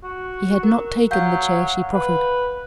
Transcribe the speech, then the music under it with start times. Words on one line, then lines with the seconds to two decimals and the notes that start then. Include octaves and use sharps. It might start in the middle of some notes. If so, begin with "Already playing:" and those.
He had not taken the chair she preferred.
0.04 F#4
0.63 A#4
1.11 F#3 F5 F#5 G6
1.93 B4